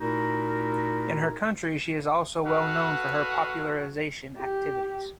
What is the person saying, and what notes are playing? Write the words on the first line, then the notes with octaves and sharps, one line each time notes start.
In her country she is also well known for her popularization activities.
A#2 A3 D#4 E4 F#4 A#4
F#4 A4 B4 F5 F#5
G4